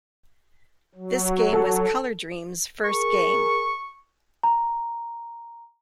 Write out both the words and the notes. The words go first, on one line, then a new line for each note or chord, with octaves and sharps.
This game was Color Dreams' first game.
F#3
A4
G#4 A#4 C#6
A#5